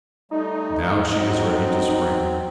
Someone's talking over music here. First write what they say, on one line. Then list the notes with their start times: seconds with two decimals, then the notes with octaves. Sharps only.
Now she is ready to spring.
0.31 G3 A3 D#4
1.16 F#3 C4